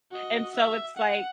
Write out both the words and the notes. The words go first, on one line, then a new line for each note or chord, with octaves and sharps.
and so it's like,
F#4 D#5
E5
F#5